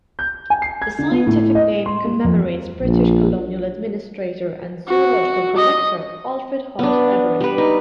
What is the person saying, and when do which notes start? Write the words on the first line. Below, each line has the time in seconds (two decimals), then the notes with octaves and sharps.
The scientific name commemorates British colonial administrator and zoological collector Alfred Hart Everett.
0.19 G6
0.50 G#5
0.62 C7
0.82 G#6
0.99 D3
1.11 B3
1.27 A2
1.55 D#5
1.86 C6
2.04 A#3
2.24 F2
2.82 A#1
4.88 F#4
5.57 D#5
6.79 B3 D4
7.40 G3 B4
7.58 D#4